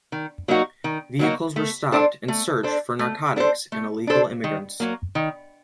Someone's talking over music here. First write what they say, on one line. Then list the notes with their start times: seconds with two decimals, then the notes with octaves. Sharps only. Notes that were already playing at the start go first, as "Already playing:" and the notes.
Vehicles were stopped and searched for narcotics and illegal immigrants.
0.12 D#3
0.48 F#3 A#3 D#4 F#4
0.84 D#3
1.19 F#3 A#3 D#4 F#4
1.56 A3
1.92 D4 A4 C5
2.28 A3
2.63 D4 A4 C5
2.99 A3
3.36 D4 A4 C5
3.72 A3
4.07 D4 A4 C5
4.44 D#3
4.80 F#3 A#3
5.15 D#3